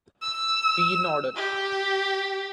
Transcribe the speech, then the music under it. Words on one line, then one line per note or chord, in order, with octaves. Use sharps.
Be in order.
E6
G4